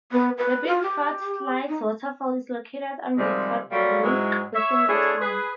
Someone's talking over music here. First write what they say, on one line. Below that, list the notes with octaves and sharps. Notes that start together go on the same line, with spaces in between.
The Bickford Slides waterfall is located on Bickford Brook within the town.
B3
B4
F4
G4
D#4
C3 D#3 F3 G3 G#3
F#3 G3 A3 A#3 F4
G#2 E3 F#3 G#3
C#5 E5
A3 D4 E4 G#4 C#5
G#4 B4